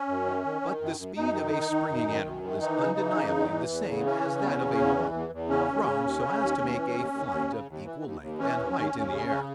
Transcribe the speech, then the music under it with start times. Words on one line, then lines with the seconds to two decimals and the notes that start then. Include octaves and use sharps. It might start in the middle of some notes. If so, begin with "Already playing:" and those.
But the speed of a springing animal is undeniably the same as that of a ball, thrown so as to make a flight of equal length and height in the air.
Already playing: C#4
0.08 F#2
0.26 D#3
0.45 D#3
0.62 D#3
0.80 F#2
0.98 F#2
1.16 F#2 D#4
1.34 D#3
1.52 D#3
1.71 D#3
1.89 F#2
2.07 D#3
2.25 F#2
2.43 D#3
2.61 E3 D#4
2.80 C#3
2.98 E3
3.15 C#3
3.33 E2
3.51 E3
3.69 E2
3.88 C#3
4.05 E3 C#4
4.24 C#3
4.41 E2
4.60 C#3
4.78 E2
4.96 E3
5.14 E2
5.33 E2
5.50 C#3 C#4
5.68 D#2
5.86 C#3
6.04 D#2
6.22 C#3
6.40 D#2
6.58 D#2
6.76 E3
6.95 D#2
7.12 D#2
7.31 D#2
7.48 C#3
7.67 D#2
7.85 E3
8.03 D#2
8.21 D#2
8.39 E3 C#4
8.58 D#2
8.75 D#2
8.94 D#2
9.12 C#3
9.29 C#3